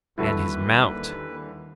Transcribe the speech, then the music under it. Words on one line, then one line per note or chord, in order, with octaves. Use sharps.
And his mount!
D#2 D3 E3 G3 E4 F#4 A4 B4